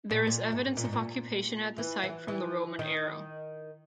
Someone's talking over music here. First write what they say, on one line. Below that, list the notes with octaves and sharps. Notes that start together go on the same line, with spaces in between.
There is evidence of occupation at the site from the Roman era.
A#2
A#2
G#2
A#2
G#2
A#2
E3
E3
E3
D#3